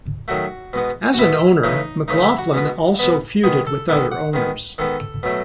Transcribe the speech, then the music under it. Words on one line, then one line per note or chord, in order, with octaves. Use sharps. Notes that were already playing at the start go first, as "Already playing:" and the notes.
As an owner, McLaughlin also feuded with other owners.
D#3 F#3 A3 F#4
B2 G#3 B3
F#4
B2 G#3 B3 E4
C#3 E3 A3 D#4
C#3 E3 A3 D#4
E4
F#4
B2 G#3 B3
B2 G#3 B3
D#3 G#3 B3 G#4
A4
D#3 G#3 B3 A4
F#5
D#3 G#3 B3
D#3 G#3 B3 A4
B2 F#3 A3